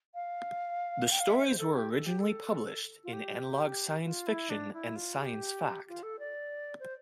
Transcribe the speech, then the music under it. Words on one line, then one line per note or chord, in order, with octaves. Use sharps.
The stories were originally published in "Analog Science Fiction and Science Fact".
F5
G5
F5
E5
C5
A4
G4
A4
G4
A4
F4
G4
F4
E4
D4
E4
F4
G4
F4
A4
D5
C5